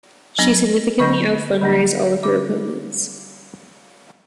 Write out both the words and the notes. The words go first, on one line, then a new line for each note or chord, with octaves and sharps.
She significantly out-fundraised all of her opponents.
F#3 B3 D4
D3 F#3 A#3 D4 C#6
D3 F#3 A#3 D4
D3 G3 C#4 D6